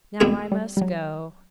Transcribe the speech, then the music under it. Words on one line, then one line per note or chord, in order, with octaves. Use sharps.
'Now I must go.
B2 G#3 A3 C4 E4 G#4
G3
G3
F#3